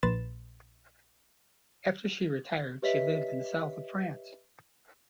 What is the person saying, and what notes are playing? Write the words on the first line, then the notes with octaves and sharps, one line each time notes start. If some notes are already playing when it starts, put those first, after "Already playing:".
After she retired she lived in the south of France.
A#1 B4 C6 A6 E7
G4 B4 C#5 D#5 E5 B6